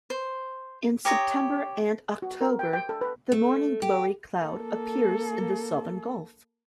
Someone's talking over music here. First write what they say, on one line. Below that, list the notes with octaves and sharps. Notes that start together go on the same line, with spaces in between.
In September and October the Morning Glory cloud appears in the Southern Gulf.
C5
G4 C#5 A#5 D#6
F#4
A#4
G5
G5
A4
B4
A3
G4
A#3 A4